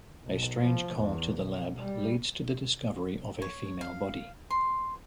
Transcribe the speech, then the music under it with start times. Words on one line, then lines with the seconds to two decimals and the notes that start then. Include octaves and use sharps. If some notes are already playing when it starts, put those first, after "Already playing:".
A strange call to the lab leads to the discovery of a female body.
0.25 B1
0.64 F3
0.96 E2
1.39 B1
1.79 G3
3.42 C#5
3.81 F5
4.50 C6